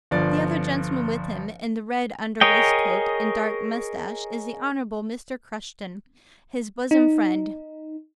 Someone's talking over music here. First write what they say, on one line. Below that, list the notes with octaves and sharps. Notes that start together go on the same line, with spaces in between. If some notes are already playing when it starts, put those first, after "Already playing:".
The other gentleman with him, in the red under-waistcoat and dark moustache, is the Honourable Mr. Crushton, his bosom friend.
G1 F3 D5 A6
G#4 A#4 C#5 D#5 G5
D#4